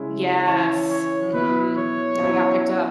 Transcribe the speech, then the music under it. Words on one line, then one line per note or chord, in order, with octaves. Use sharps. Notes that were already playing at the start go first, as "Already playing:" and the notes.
Yes, mhm, and they got picked up.
Already playing: C#3 G#3 C#4 E4
E3 C#4 E4 C#5
C#5
B2 B3 E4 B4
C#5
B2 F#3 C#4 E4